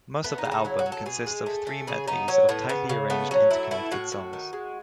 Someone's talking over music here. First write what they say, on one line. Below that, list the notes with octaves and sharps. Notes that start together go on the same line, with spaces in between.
Most of the album consists of three medleys of tightly arranged interconnected songs.
A3 B3
D#4
C#3
D#4
F#3 E4
F#4
F#3
A4
B2 G#4
G#3
A3
A3
C#3 G#4
B3 D#4
F#3 C#4
A2 B3
C#3 B3
C#3
A3 B3
F#3 C#4
A3 E4
B2 E4
A2 F#4
A2
D#3
G#3